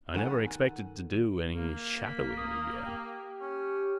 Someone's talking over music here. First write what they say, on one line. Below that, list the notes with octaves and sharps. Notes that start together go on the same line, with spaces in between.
I never expected to do any shadowing again.
D#3 A4 F#5 G#5
A#3
B6
D#6
G4
C#4